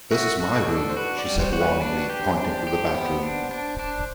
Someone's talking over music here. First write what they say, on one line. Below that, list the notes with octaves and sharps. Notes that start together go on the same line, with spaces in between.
"This is my room," she said warningly, pointing to the bedroom.
F#4 E5
F#4 A4
D4 A4
C5
F#4 B4
D5
G3
C5
F#4
B4
D4 B4
G4
C5
D4
G4
B3
D4
D4
D4